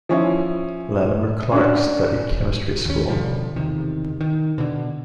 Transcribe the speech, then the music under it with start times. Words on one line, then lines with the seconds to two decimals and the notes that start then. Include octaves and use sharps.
Latimer Clark studied chemistry at school.
0.09 F3 C#4 E4
1.52 C#4 D4 F#4
2.85 D#2 C#4
3.09 B2 D3 F3 G3
3.56 E2 C3 D#3
4.21 D#3
4.58 B2 D3